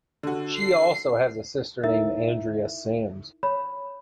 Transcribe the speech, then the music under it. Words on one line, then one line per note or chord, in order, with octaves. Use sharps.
She also has a sister named Andrea Sams.
D3 F#4
C7
D#4 E4 A#4 E5
C#5 B5